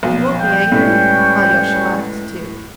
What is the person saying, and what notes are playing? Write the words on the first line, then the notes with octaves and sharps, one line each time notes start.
"You won't be angry?" Alyosha laughed too.
B1 A#2 F3
G5
A2 G3 G#3 C#4 B4